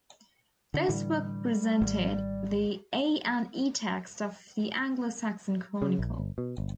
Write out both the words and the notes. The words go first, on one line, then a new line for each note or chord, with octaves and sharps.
This work presented the A and E texts of the "Anglo-Saxon Chronicle".
D3 D4
A2 D3 E3 G3
G#1
C#3
A#1
G1
B2
G1